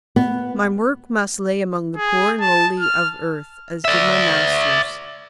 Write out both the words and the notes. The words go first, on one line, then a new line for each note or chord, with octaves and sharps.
My work must lie among the poor and lowly of earth as did my Master's.
B3
G#4
A5
F6
D5 E5